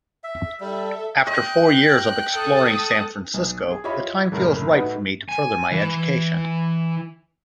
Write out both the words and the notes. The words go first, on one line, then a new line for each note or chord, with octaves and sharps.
After four years of exploring San Francisco, the time feels right for me to further my education.
E5
G3 A4 E5
D#5 G5 F#6
A4 A5 D#6
B1
G#4
E4 F4 G4 C#5 D#5 B5
F#1 A2 C#3 A#4
A2 D#4 F#4 B4
G#5
E3